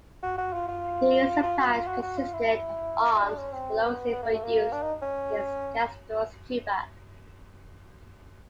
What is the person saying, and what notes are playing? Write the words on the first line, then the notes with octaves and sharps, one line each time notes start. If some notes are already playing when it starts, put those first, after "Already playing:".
These supplies consisted of arms and explosives for use against Castro's Cuba.
F#4
F#4
F4
F4
F4
F#4
F4
F#4
F#4
F4
E4
D4
C#4
C4
B3
B3
A#3
A3
A#3
D4
D#4
C#4